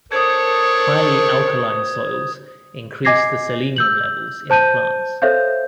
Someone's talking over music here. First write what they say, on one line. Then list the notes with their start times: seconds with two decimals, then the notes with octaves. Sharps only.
Highly alkaline soils increase the selenium levels in the plants.
0.12 D4 A4 A#4 C5 C#5 D#6 G#6
3.05 D#5 G#5 D6 G#6 A#6 C7
3.76 E6 G6 F#7
4.50 C5 A5 G6 D#7
5.22 A4 C5 C#5 E5 F5 G6